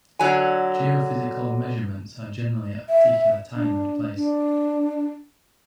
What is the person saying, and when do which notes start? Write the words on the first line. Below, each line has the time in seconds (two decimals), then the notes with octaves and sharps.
Geophysical measurements are generally at a particular time and place.
0.19 D3 F#3 G#5
2.89 E5
3.55 D4
4.16 D4